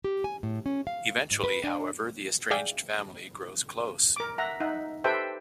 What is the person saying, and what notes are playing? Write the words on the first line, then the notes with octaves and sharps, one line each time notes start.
Eventually, however, the estranged family grows close.
G4
G#5
A2
C#4
F5
G#2
B4
D4
G#4 D5 E5 F5 G5 G#5
A#4 D6
E5 F#5 A#5
D#4 E5 F#5
G4 A4 B4 C5 E5 G5